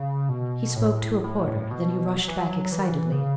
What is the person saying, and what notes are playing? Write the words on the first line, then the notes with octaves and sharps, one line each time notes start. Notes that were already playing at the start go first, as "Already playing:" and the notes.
He spoke to a porter; then he rushed back excitedly.
Already playing: C#3
B2
A2
A2
B2
F#3
E3
F#3
F#3
E3
D#3
E3
C#3